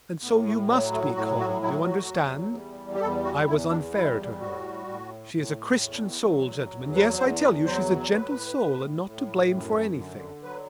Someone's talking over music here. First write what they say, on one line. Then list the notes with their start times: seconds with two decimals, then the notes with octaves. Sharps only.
And so you must be calm, do you understand? I was unfair to her; she is a Christian soul, gentlemen, yes, I tell you, she's a gentle soul, and not to blame for anything.
0.23 A2 B3
0.46 A3
0.69 F#3 G3
0.92 A3
1.15 A2 F#4
1.39 F#4
1.61 F#3 E4
1.85 F#4
2.08 E2
2.55 G3
2.95 G4
3.01 E2 A4
3.24 F#4
3.47 E2 E4
3.70 D4
3.94 G3 E4
4.40 A2 F#4
4.87 A2
5.33 A2
5.80 E2
6.26 F#3
6.72 E2
6.95 B4
7.18 E2 C5
7.42 B4
7.65 F#3 C5
8.12 A2 B4
8.58 A2
9.04 A2
9.51 F#2
9.97 D3
10.43 F#3 B4